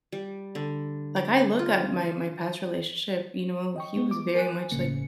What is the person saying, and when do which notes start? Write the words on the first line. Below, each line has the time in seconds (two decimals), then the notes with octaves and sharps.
like, I look at my, my past relationship, you know, he was very much like
0.12 G3
0.55 D3
1.16 D6
1.59 F4
3.76 D#5 G5 C#6
3.96 G#3 B3
4.11 D6
4.35 A#4 G#5 F#6
4.72 G1 A2 C#3 A#3 C#7